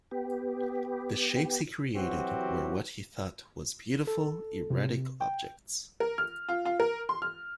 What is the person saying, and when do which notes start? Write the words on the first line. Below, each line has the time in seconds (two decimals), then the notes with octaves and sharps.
The shapes he created were what he thought was "beautiful, erratic objects".
0.11 B3 G4
1.96 E3 F#3 C4 F#4 G4
4.07 A4
4.70 C3
5.21 G5
6.00 A#4
6.18 F6
6.48 F4
6.65 F4
6.80 A#4
7.09 C6
7.22 F6